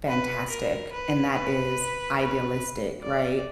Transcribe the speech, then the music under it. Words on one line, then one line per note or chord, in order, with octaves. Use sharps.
fantastic, and that is idealistic, right?
B4
A#4
B4
B4
B4
D5